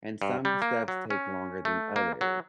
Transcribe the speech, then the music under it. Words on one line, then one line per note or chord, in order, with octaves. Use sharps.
and some steps take longer than others,
G2
G3
A#3
F#3
C#4
A3
A#3
F#3